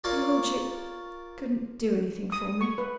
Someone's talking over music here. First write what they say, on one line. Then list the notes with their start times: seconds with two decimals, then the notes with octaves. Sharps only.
Your Lordship couldn't do anything for me?
0.04 F4 A#4 C#5 D5
2.32 D#6
2.61 C#6
2.78 B4